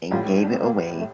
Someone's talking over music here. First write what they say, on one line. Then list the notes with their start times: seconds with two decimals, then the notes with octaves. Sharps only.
and gave it away
0.11 A1 A2 G3 F4
0.41 D4
0.50 C4
0.59 A#3
0.98 A3